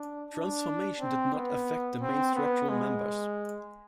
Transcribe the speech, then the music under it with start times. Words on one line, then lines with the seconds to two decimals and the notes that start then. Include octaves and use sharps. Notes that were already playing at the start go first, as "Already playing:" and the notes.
Transformation did not affect the main structural members.
Already playing: D4
0.33 D4
1.00 C4
1.34 B3
2.01 C4
2.35 B3
2.69 G#3